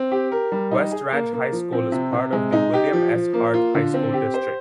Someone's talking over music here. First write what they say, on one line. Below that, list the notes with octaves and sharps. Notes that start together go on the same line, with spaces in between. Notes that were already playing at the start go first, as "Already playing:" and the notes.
West Ranch High School is part of the William S. Hart High School District.
Already playing: C4
G4
A#4
G3
D#4
G#4
A#3
A#3
F3
C4
C3
C3
G#3
D#4
G4
F3
F3
A#3
F4
D3
C4
G4
C5